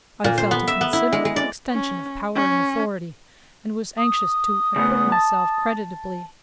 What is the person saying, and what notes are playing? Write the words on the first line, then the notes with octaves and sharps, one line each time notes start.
I felt a considerable extension of power and authority, and was anxious to acquit myself creditably.
A#2
C5
B3
E5
B3
E4
G#3
G#3
D5
C#4
C#4
D#6
C#3 A3 B3
A5